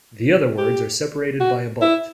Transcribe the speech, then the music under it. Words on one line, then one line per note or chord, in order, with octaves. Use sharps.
The other words are separated by a bullet.
G4
F#4
E4